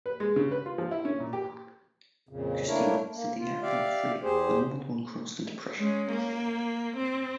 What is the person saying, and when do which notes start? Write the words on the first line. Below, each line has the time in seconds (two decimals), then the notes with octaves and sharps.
Custine said the air felt freer the moment one crossed into Prussia.
0.06 B4
0.20 G#3
0.36 C#3
0.51 B4
0.66 F4
0.78 F3
0.91 E4
1.05 C#4
1.20 A#2
1.33 G4
2.29 F2 A#2 C#3
2.67 A3 A#3 D4 E4 A#4 C#5
3.14 A#3
3.38 F4
3.62 G4 D5 E5 F5
4.22 E2 G4 G#4 C5
5.78 G#3 C#4
6.11 A#3
6.97 C4